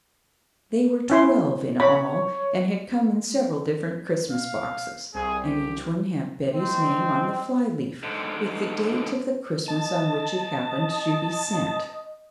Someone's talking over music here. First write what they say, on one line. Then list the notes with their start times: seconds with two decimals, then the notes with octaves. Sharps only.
They were twelve in all, and had come in several different Christmas boxes, and each one had Betty's name on the fly-leaf, with the date of the Christmas on which it happened to be sent.
1.10 C#4 E4 C6
1.80 C#5 B5
4.29 F5
5.14 C2 G#4
5.43 G4
6.53 G#3 C4
8.03 G#2 D3
9.68 D#5 A5